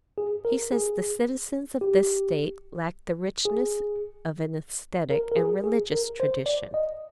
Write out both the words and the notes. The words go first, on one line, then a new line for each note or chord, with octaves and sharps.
He says the citizens of this state lack the richness of an aesthetic and religious tradition.
G#4
A#4
G#4
G4
G#4
A#4
A#4
G#4
G#4
A#4
C5
D5
D#5